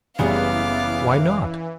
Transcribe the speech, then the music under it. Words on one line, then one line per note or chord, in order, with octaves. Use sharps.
Why not?
F#1 E3 G3 B3 G#4 F5 D6